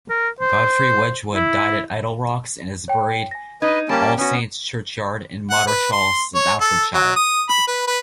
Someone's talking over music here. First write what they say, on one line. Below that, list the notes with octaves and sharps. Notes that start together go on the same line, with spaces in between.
Godfrey Wedgwood died at Idlerocks and is buried All Saints Churchyard in Moddershall, Staffordshire.
A#4
C5
E4
C#5 G5
G#5 A#6
D#4 B4 D#5 G#6
G3 A#3 C#4 G4 A5 D7
B3 C#4 F#4
F#5
B4
C6
C#5
A4
F#3
D#6
B5
B4
B4